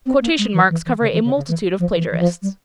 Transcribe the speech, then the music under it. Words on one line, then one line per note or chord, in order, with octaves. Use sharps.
Quotation marks cover a multitude of plagiarists.
C4
A#3
G#3
E3
E3
E3
C#3
E3
C#3
C#3
E3
F3
E3
E3
F3
G3